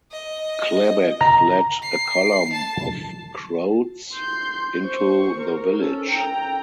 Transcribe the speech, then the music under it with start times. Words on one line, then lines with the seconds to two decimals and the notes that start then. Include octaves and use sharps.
Klebeck led a column of Croats into the village.
0.12 D#5
1.21 A#5
1.82 C7
2.53 A5
4.14 C6 G6
4.85 C5 C#6
5.40 A#4
5.79 C#4 A4
6.10 G5 A#5